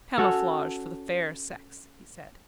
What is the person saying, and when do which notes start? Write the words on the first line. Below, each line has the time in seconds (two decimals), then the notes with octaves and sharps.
"Camouflage for the fair sex," he said.
0.18 C#4 F#4 A4